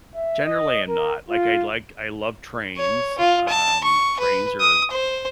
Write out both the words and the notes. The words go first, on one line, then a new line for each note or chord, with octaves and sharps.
generally I'm not. Like, I'd like I love trains, um, trains are
E5
D#5
A#4
F4
C#5
F4
A5
C#6
B4
D#6
C5